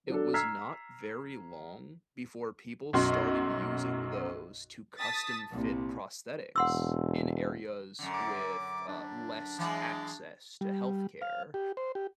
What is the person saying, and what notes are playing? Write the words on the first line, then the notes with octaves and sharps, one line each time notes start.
it was not very long before people started using those to custom-fit prosthetics in areas with, uh, less access to health care,
F#3 D4 A4
A#5 E6 F6 G#6 B6 C7
B1 F#2 F#4 C6
A5 D#6 A6 B6
C2 A#2
E1 F#5 C6 E6
F#2 D3
D6
D4
E3 F#3 G#3
G3
F5
G4
C5
G4